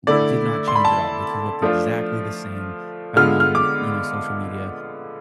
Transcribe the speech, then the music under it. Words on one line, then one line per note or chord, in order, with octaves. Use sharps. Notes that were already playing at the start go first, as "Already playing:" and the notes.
w did not change at all. Like, he looked exactly the same, found him on, you know, social media,
D3 A3 E4 D5
C6
B5
A5
F3 A3 D4 F4
D3 G#3 B3 F4 F6
F6
D6